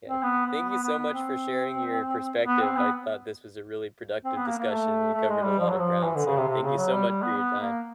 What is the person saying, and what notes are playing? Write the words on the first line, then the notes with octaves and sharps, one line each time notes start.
Yeah. Thank you so much for sharing your perspective. I thought this was a really productive discussion; we covered a lot of ground, so thank you so much for your time.
C4
B3
B3
B3
B3
B3
C4
B3
C4
B3
C4
B3
A#3
A#3
A3
A3
G#3
G3
F3
F#3
F3
E3
D3
C#3
C3
C3
C#3
F#3
G3
G3
B3
B3
A#3